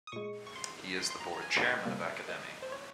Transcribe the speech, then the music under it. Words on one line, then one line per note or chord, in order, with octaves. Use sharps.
He is the board chairman of Academi.
D#6
A#2 G#3 C#6
C#6
C6
C6
C6
A#5
A#5
G#5
G5
C3 G3 A#3
D#5
C5
C#5